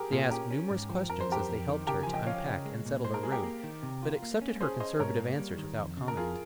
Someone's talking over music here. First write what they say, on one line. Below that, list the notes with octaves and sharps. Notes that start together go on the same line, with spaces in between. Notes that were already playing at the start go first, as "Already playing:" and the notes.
They asked numerous questions as they helped her to unpack and settle her room, but accepted her conservative answers without comment.
Already playing: G4 G#4 A#4
A#2 F4 G#4
C#4 G4 A#4
C#4
G#2
F3
F2 A#4
C5
F2 G4 A#4
F2
D#3
C#3 G4 A#4
F3 G#5
D#5 G5
C#4 C#5 F5
C#3
G#3
A#2
G#3 C5
A#4
G#3 G#4
G4 A#4
A#3
D#3
C3
F4
A#3
C#4
C#4 G#4 C5
C#4 C5 D#5
G#2 A#4 C#5
A#3
G3
D#3
F2
C#3
A#4
F2 F4 G#4